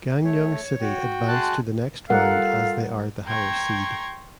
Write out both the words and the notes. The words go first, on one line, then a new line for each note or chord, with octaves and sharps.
Gangneung City advance to the next round as they are the higher seed.
A3 C#5
F#4 G5
G#3 A5 F#6
G3 F4 A4 A#4 F5 F#5
G5 A#5 C6 C#6 G#6